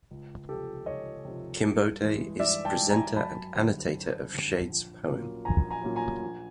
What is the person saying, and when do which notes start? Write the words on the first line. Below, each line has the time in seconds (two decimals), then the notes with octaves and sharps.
Kinbote is the presenter and annotator of Shade's poem.
0.11 C#2
0.48 C3 F3 G4 A4
0.86 C#2 C#5 D#5
1.25 C3 F3
1.63 G2
2.01 E3 G#3
2.40 G2 D5 E5
2.65 G5 A5
2.78 E3 G#3
2.90 G#5 A#5
3.16 F#2 A5 B5
3.55 D3 G3 C4
3.93 F#2
4.30 D3 G3 C4
4.69 A#1
5.07 A#2 F#3 A#3 C#4
5.45 A#1 G#5 A#5
5.71 G#5 A#5
5.83 A#2 F#3 A#3 C#4
5.96 G#5 A#5
6.22 A#1